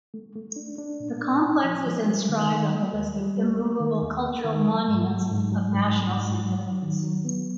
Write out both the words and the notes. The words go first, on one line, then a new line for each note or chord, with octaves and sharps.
The complex is inscribed on the list of Immovable Cultural Monuments of National Significance.
A3
A3
D4
D4
A#2
D4
A#2
F3
F3
G3
D#3
D#3
A#3
D#2
G3
G3
A#3
D#3
D#2
A#3
D#3
F#3
G#2
F#3
G#2
F#3
G#2
G#2
G#2
F#3
F#3
D#3
F#3
B3